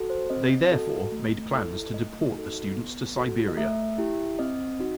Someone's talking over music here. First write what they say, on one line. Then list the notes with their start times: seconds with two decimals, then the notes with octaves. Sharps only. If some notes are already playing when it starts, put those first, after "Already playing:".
They therefore made plans to deport the students to Siberia.
Already playing: F#4 A4
0.10 C5
0.30 C4 D#5
0.72 F#4 A4
1.12 A3
1.53 E4 A4
1.93 A3 D#5
2.34 D#4 F#4 A4
2.76 B3
3.16 F#4 A4
3.48 D#5
3.57 A3 E5
3.98 E4 G4
4.39 C4 D#5
4.80 D#4 F#4